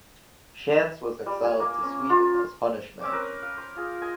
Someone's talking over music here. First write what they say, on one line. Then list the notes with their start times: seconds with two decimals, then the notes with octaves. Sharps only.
Schantz was exiled to Sweden as punishment.
1.26 G3
1.44 G#5
1.60 A#3
1.83 C#4
2.10 F4
3.01 C4 C#4 G4 D6
3.12 A#4 B4
3.42 F5
3.57 C5
3.76 F4 G#4
4.01 D#5 G#5 C6